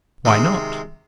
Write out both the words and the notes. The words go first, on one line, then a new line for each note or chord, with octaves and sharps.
"Why not?"
C3 D#3 G#3